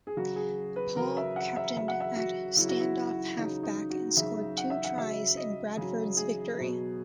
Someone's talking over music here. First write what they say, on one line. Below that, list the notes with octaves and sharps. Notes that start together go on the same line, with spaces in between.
Paul captained at stand-off half back and scored two tries in Bradford's victory.
G#4
C#3 F#3 F#4
G#4
B4
C#3 F#3 A#4
E5
F#5
E5
C#3 F#3 E5
F#5
E5
F#4
C#3 F#3 E4
F#4
E4
C#3 F#3 D#4
D#4
F#4
C#3 F#3 E5
F#5
E5
F#5
C#3 F#3 E5
D#5
C#3 F#3 G#4
G#4
B2 F#3